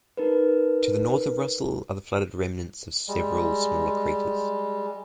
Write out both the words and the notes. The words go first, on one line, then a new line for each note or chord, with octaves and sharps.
To the north of Russell are the flooded remnants of several smaller craters.
D#4 A#4 B4
G3 G#3